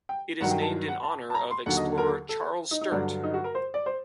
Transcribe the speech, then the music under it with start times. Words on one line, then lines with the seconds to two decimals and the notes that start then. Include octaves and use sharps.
It is named in honour of explorer Charles Sturt.
0.09 G5
0.41 G2 D#3 F#3 F#5
0.51 G5
0.62 A5
0.88 F#5
1.03 A5
1.30 A5
1.35 A#5
1.51 C6
1.66 D#2 D3 F#3 F#5
1.77 D#5
1.98 A#4
2.29 A4
2.71 D#4
2.81 D#4
2.92 G2 D3 F#3 D4
3.23 D#4
3.34 F#4
3.44 A#4
3.55 C5
3.74 D5
3.86 C5